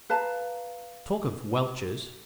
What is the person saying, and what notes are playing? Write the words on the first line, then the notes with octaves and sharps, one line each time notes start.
Talk of welchers!
B4 F5 A5 A#5